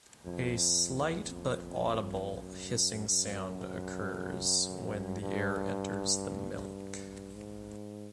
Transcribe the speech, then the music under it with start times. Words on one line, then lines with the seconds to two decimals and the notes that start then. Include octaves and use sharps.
A slight but audible hissing sound occurs when the air enters the milk.
0.25 F2
0.97 E2
1.31 F2
2.38 F#2
3.09 F#2
5.22 G2
7.35 G#2